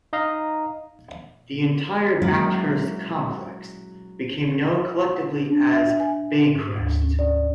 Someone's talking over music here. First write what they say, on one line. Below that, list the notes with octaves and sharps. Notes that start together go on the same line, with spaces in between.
The entire Bathurst complex became known collectively as Baycrest.
D#4 D#5 F5 A#5
F#3 G#3 A#3 C#4 E4
D4
E5
G#5
G#2
D2
C#4
D5